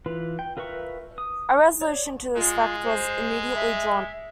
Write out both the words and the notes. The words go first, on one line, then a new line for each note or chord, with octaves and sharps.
A resolution to this effect was immediately drawn up.
E3 F4 B4
G5
F4 A#4 B4 E5 C#6
D#6
C#5 D5
G#3 F4
C5
E5